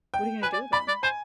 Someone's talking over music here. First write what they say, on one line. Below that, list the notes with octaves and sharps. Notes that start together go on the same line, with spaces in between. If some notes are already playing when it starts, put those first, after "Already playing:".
what are you gonna do with 'em?
G5
B4 G#5
D5
D5 B5
D5
C5 G#5